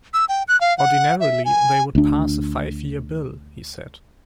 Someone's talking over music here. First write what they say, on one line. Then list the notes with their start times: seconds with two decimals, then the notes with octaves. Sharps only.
Ordinarily they would pass a five year bill, he said.
0.14 E6
0.29 G5
0.48 F#6
0.61 F5
0.78 F#5
1.20 E5
1.45 G#5
1.95 D2 D4